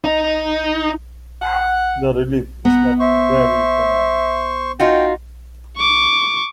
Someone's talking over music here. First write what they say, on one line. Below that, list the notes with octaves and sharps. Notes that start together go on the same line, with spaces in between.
The relief is not very pronounced.
D#4
F#5
B3 F#5 A#5
C5 E5 C#6
D#4 F4 F#4 G5
C#6 D6